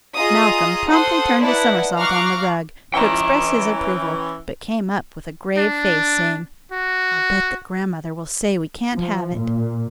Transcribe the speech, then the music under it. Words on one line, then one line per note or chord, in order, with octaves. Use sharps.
Malcolm promptly turned a somersault on the rug, to express his approval, but came up with a grave face, saying, "I'll bet that grandmother will say we can't have it."
F4 G#4 D#5 A#5 D#6
A4 C5 F#5 C6 D#6
D#4 E4 B4 D5 F#5 A5
F5 A#5 C#6 D6 F6 F#6
E3 C#4 G5 A#5
D4
F#4
F3
A#2